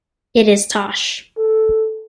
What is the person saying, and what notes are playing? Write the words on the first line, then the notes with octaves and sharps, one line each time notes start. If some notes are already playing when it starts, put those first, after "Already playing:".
It is Tosh.
A4